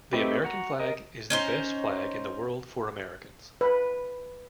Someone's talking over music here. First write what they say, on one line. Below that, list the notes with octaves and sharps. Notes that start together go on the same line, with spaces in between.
The American flag is the best flag in the world for Americans.
A3 C4 D#4 G4 B4
F#4 F#5 A#5
A#4 D#5
C#4 D#4 C5
B4